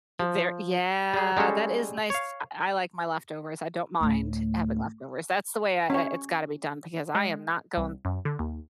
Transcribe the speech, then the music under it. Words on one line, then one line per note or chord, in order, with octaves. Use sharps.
Y there yeah. That is nice. I l like my leftovers. I don't mind having leftovers. That's the way I i it's gotta be done because I am not going
F3
G3 G#4
G3 G#3 C#4 A4
C#5 F5
D2 A2
C#4 C#5
G#3
C2
F#2
D3
D#2